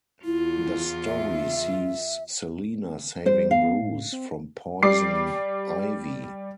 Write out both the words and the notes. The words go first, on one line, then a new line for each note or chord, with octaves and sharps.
The story sees Selina saving Bruce from Poison Ivy.
E2 E4 F4
E5
G3 C5
B3 F5
A2
C4
G3 D6 C7